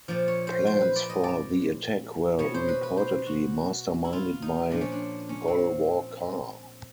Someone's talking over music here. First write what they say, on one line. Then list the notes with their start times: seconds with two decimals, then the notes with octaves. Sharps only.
Plans for the attack were reportedly masterminded by Golwalkar.
0.08 A#2 F3 D5
0.28 C#5
0.47 C5
0.67 C5
0.81 B4
0.96 D5
1.09 D#5
1.24 D5
2.39 B2 C#5
2.54 C5
2.68 B4
2.83 B4
2.97 C5
3.26 F#4
4.05 E4
4.13 F4
4.42 D#4
4.71 A#2 F3 D4
4.81 C#4
4.92 D4
5.29 C#4
5.48 C4